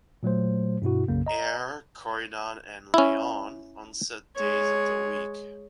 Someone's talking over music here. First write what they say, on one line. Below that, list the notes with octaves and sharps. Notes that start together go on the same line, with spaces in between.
Ayr, Corydon, and Leon on set days of the week.
A#2 F#3 A3 C5
G2 B2 E4 F#4
B1 F#2 C#3 A#3
D#5 A#5
C#4 E4
G#3 C#5